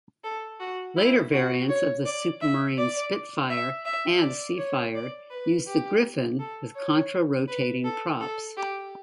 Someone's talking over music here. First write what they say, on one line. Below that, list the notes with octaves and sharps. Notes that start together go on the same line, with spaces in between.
Later variants of the Supermarine Spitfire and Seafire used the Griffon with contra-rotating props.
A4
F#4
E4
F#4
C#5
D5
E5
D5
E5
E5
D5
C#5
D5
B4
G4
A4
C#5
B4
A4
A4
G4